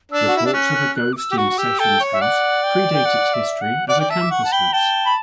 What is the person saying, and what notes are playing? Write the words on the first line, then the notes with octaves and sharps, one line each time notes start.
Reports of a ghost in Sessions House predate its history as a campus house.
D4 E6
F#4
E4
D4
C#4 F#6
F#6
F#6
D6
E6
G4
F#4 C#6
F#4
G4 E6
A4 G5
C#5
E5
D5 F#5
G5
G5
F#5
E5
F#5
D5 F#5
D5 G5
E5 A5
D6
F#5 C#6
A5
G5 B5
G5 A5
B5